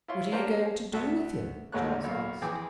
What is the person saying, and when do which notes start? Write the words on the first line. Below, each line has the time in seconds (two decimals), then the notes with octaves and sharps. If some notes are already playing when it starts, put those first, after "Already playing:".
"What are you going to do with him?" Charles asked.
0.08 E4 F4 C#5 C6
0.32 A#3 D4 G4 C5 C#5 A#5
0.93 D2 F#4 A4 E5
1.72 G#1 D#2 G#2 A3 C#5 F#6
2.04 B1 A#3
2.42 F2 E3 G#4 G5 D6